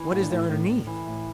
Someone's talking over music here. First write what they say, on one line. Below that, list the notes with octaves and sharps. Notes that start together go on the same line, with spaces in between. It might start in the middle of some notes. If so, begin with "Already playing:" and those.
What is there underneath?
Already playing: E3
A2 F#4
D4
A2 E4
A2 D4
A2
E3
A2